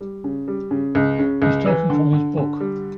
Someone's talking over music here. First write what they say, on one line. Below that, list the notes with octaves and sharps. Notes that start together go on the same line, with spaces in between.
He's talking from his book.
G3
C#3
G3
C#3
C#2
C#3
C#2
E3
D3
D3
D3
G3